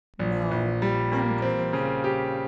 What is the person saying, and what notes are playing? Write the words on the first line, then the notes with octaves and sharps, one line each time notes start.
No, I'm gloomy.
A#1
A#1
G3
A#3
C4
C#3
G4